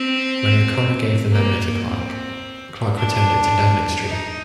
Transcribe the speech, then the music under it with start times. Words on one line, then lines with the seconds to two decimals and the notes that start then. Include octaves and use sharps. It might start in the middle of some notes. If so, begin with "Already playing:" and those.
When O'Connor gave the memo to Clarke, Clarke returned it to Downing Street.
Already playing: C4
1.31 A#3
1.85 C4
2.97 D4
4.06 D#4